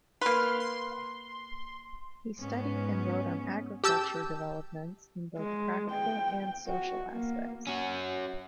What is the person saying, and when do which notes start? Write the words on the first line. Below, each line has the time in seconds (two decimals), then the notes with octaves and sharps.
He studied and wrote on agriculture developments in both the practical and social aspects.
0.21 A#3 B4 C6 F6
0.60 C6
2.39 G#2 B3 C#4
3.84 G4 A5 E6 G6
5.37 G#3
5.90 G5
6.67 F#4
7.11 A#3
7.67 C#4 F#4